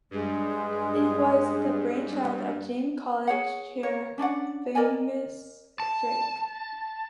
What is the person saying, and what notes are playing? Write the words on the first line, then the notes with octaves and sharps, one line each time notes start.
It was the brainchild of James College Chair, Fergus Drake.
G2 G#3
G#4 C#5 F#5
C#5
C#4 D4 D5 F#5
A#4 D5 D#5 G#5
A5